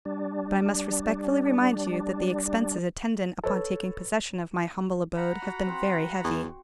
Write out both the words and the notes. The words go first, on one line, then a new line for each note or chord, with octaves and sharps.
But I must respectfully remind you that the expenses attendant upon taking possession of my humble abode have been very heavy.
G3 D4
A4 B4 C#5
F#5 A#5 B5
F#4
C4 C5
C#6
E2